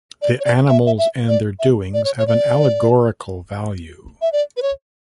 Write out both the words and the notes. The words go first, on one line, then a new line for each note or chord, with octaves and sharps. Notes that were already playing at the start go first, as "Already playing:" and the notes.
The animals and their doings have an allegorical value.
D5
C#5
D5
E5
E5
E5
D5
E5
D5
C#5
C#5
D5
E5
D5
B4
C#5